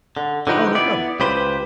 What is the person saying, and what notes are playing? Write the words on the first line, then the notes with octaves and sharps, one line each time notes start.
Oh, no problem.
D3
D3 F3 D#4 G4 B4
B3 E4 D5
C#2 G4 B4 C5